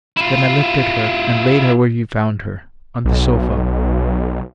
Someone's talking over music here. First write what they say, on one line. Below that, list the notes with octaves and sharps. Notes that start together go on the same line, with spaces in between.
Then I lifted her and laid her where you found her, on the sofa.
E4 F4
B1